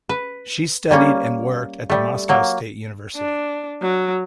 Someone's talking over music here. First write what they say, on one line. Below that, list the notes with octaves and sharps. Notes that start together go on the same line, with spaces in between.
She studied and worked at the Moscow State University.
B4
G3 A#3 C#4
G3 A3
F#3 A#3
D4
F#3